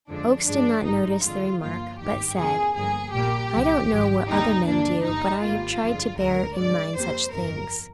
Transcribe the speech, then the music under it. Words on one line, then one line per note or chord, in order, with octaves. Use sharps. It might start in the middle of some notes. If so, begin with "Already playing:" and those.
Oakes did not notice the remark, but said: "I don't know what other men do, but I have tried to bear in mind such things."
F2 D3 F3 G#3 D4
G2 F3 G#3 D4
G#1 G2 D3 G#3 D#4
F2 D3 G#3 F4
G1 G2 F3 A#3 F4
G#1 G2 D#3 G4
F2 C3 F3 A#3 G#4
G1 G2 F3 A#3 G#4
A#1 A#2 G3 A#3 G4
C2 C3 F3
G#1 G#2 F3 G#3
D#2 D3 G3 A#3 D#4
G2 D3 F3 A#3 D4
G1 G2 D3 D#4
G#1 G#2 G3 A#3 F4
G1 F2 D3 F3 G#3
D2 D3 G#3 A#4
G2 D3 G#3 D5
F2 C3 G3 A#3 C5
G1 F2 D#3 A#4